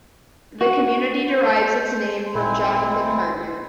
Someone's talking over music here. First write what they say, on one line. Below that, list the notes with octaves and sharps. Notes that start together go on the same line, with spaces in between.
The community derives its name from Jonathan Hartman.
F#4
C5
G#1 A#2 G#3 C4 E4 C6